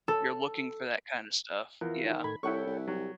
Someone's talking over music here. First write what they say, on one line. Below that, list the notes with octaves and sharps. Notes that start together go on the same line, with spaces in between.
you're looking for that kinda stuff. Yeah.
A4
E2 E4 F4 A#4
D#3
A2 A4 B5 G#6
C2 E4 A4 C#5 F#5 G5 C#6
C2
F#3 G4